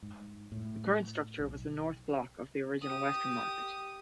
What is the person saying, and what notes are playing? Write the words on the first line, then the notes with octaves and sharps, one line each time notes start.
The current structure was the North Block of the original Western Market.
G#2
A2
B1
G4 D#6